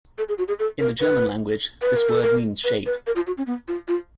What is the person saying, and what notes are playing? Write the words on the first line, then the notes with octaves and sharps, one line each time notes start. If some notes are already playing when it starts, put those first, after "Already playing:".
In the German language, this word means "shape".
A4
G#4
F#4
G#4
A4
A#4
B4
B4
A#4
A4
A#4
B4
B4
A#4
F4
F#4
C#4
B3
F4
F4